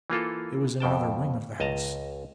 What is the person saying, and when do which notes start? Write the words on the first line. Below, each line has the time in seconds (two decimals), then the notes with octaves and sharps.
It was in another wing of the house.
0.10 E3 A#3 F4 A4
0.80 F2 B2 G5 A5
1.60 C#2 D#5 A5 A#5